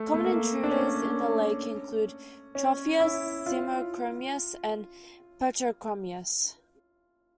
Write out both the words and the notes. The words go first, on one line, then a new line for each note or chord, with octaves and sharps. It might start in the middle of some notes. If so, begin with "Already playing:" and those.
Common intruders in the lake include "Tropheus", "Simochromis", and "Petrochromis".
Already playing: A3
A3
A#3
D4
C#4
C#4
E4
F4